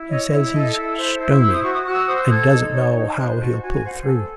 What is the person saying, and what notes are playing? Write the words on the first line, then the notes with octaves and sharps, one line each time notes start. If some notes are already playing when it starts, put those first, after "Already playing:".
He says he's "stony" and doesn't know how he'll pull through.'
Already playing: E4
C#5 D#5
E4 C#5
A4 D#5
E4
F#5
C5 E5
E4
C5 E6
D#6
F#4 C#6
D#6
F#4 F#6
E6
C5 D#6
E6
A4 G#6
D#4
C#5
D#4
C5 F#6
F#4 A5
F#4 G#5
G#5
C5 F#5
A4 G#5